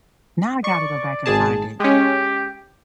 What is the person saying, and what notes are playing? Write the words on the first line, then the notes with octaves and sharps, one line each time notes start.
Now I gotta go back and find it.
D5 C#6
G#1 G#4 A5
G#3 C#4 G4